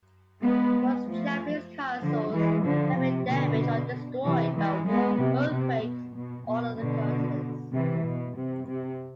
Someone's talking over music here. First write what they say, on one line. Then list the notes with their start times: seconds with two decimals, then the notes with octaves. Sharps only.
Most Japanese castles have been damaged or destroyed by war, earthquakes, or other causes.
0.42 G#3 B3
1.06 F3 A3
2.01 D3 F3
2.32 E3 G#3
2.65 D3 F3
2.97 C3
3.28 B2 D3
4.23 C3 E3
4.55 E3 G#3
4.86 G#3 B3
5.18 C3
5.50 C3
5.82 B2
6.14 B2
6.46 B2
6.78 B2 D3
7.73 C3 E3
8.05 B2
8.37 C3
8.68 C3